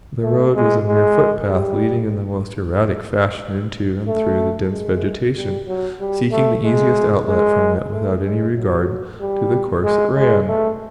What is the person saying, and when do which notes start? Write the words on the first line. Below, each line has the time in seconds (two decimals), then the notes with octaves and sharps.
The road was a mere footpath, leading in the most erratic fashion into and through the dense vegetation, seeking the easiest outlet from it without any regard to the course it ran.
0.23 A3
0.55 G#3
0.87 G#3
1.51 G3
4.07 A3
4.72 G#3
5.36 G3
5.67 F#3
6.00 G3
6.32 A3
6.64 G#3
7.28 G#3
7.92 A3
8.25 G#3
8.57 F#3
9.21 G3
9.84 G#3
10.16 G#3
10.48 A3